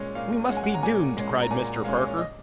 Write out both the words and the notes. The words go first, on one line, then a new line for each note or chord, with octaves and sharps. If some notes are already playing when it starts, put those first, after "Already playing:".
"We must be doomed!" cried Mr. Parker.
Already playing: A#2 G#3 C#4
A#2 F5
G#3 C#4 F#5
G#5
F#5
A#5
A#2 G#5
G#3 C#4
A#5
A#2 G#5
G#3 C#4 F5
C#5
D#5